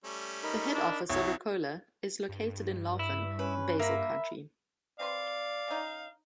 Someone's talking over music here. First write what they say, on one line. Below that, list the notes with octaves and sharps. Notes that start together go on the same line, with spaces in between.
The head office of Ricola is located in Laufen, Basel-Country.
G3 A3 C#4
D#4 A#4 B5
D4
C2 F#3 C#4 C#5
G2
E4
C#4 B4
A#3 A#4 E5 B5
C4 B4 D5 F5 C6
C#3 D#4